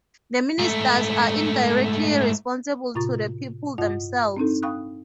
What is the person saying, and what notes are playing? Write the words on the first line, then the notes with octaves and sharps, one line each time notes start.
The ministers are indirectly responsible to the people themselves.
G#2 A3
A2 C3 F4 A#5 C#6 A6
G2 F4 D#5 F#5
C4 D4 D#4 A4
F5 G5 B5 C#6 D#6 F#6